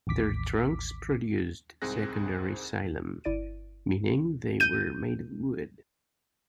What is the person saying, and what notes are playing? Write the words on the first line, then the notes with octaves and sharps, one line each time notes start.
Their trunks produced secondary xylem, meaning they were made of wood.
A1 D#2 D6 B6
C2 G#2 C4 G#4 F#6 A#6
G1 E4 D5 A6 D7 D#7
G6 D#7